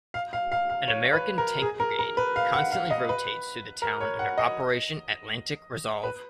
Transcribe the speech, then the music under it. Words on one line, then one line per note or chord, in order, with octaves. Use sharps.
An American tank brigade constantly rotates through the town under Operation Atlantic Resolve.
F5
F5
F5
F5
C#5
B4
A#4
G#4
A#4
A#4
B4
F5
F#5
F5
D#5
B4
A#4
C#5
F#5
D#5
B4